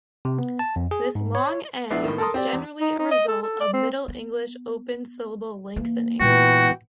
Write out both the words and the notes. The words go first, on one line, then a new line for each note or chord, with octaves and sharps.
This long A was generally a result of Middle English open syllable lengthening.
C3
B3
A5
F2
G#4
G#2
C#5
A#1 B3 D4 E4 C7
A2 D#3
A4 A#4 A5 C6 D#6
C4 G4 D5
E2
D#4
D#4
D#5
A4
A4
D5
C4
B3
E3 A#3
A#2 E3 G#3 B3 F#4 G5